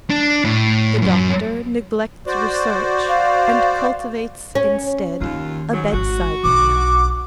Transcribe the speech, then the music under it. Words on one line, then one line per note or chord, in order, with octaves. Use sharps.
The doctor neglects research and cultivates instead a bedside manner.
D4
A2
F#2
F#4 C5 D5
F5
C#4
D#2 D#3 F4
G#2 F#3
G#1 F#4
B1 D4 D6